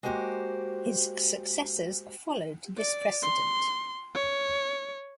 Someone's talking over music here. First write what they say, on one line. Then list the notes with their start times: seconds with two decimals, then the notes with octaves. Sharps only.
His successors followed this precedent.
0.03 G#3 A#3 F#4 G4 C5
2.78 D5
3.23 C6
4.15 C#5